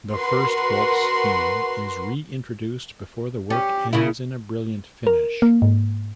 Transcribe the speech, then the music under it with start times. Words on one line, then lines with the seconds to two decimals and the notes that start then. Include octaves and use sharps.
The first waltz theme is re-introduced before the work ends in a brilliant finish.
0.13 F#4 A#4 B4 C6
3.50 C#4 G4
3.93 C#3 A#3 E4
5.07 A#4
5.42 A#3
5.62 G#2